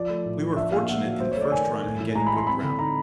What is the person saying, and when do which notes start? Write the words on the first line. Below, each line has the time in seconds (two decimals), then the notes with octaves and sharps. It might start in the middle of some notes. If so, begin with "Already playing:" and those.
We were fortunate in the first run in getting good ground.
Already playing: F3 D5
0.09 A3
0.25 A2
0.42 F3
0.56 D4 E5
0.72 A#2 F5
0.89 A#2 F#5
1.05 F#3
1.20 F#3 C5
1.31 C#5
1.36 A3 D5
1.52 D#3 G#5
1.69 A3
1.84 A2
2.00 E3
2.15 G#3 A#5
2.27 B5
2.32 E3 C6
2.47 C4 B5
2.63 D3
2.79 D#4 A#5